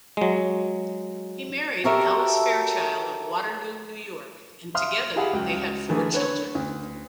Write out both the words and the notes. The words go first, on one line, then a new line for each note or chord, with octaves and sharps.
He married Alice Fairchild of Waterloo, New York, and together they had four children.
F#3 G#3
F#4 G4 A4 A#4 C#5 E5
E5 F5 C6 D#6 F6
E4 G4 G#4 F5 F#5 B5
C#2 F#3 G5
D3 E3 A3 G#4 A#4
D3 B4 C#5
D2